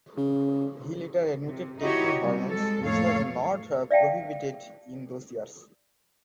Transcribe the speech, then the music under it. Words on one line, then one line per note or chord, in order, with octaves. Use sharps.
He later admitted taking hormones, which was not prohibited in those years.
C#3
C3
D#4 E4 F#4 G4 C#5 D#5
C3 G3
G#3 A4
F2 A2 A#3 A4 C#5 F5
D5 E5 F5 G5 A5